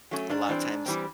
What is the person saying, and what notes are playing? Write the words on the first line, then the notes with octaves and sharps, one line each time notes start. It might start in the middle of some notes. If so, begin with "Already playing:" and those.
a lotta times,
F#3 A3 C#4
G#2 D4
E3 G3 C4
G#2
E3 G3 C4